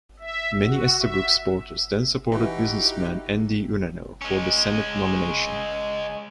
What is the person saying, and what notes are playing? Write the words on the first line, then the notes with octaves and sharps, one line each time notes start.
Many Estabrook supporters then supported businessman Andy Unanue for the Senate nomination.
E5
F#4
E5
E3 D#4 E4 F#4 G4
G#3 C#4